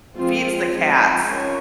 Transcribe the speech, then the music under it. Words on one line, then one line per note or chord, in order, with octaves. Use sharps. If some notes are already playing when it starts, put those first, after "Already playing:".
feeds the cats
F3 G#3 C4 F4
F3 G#3 C4 D#4
C#4 F4 A#4 C#5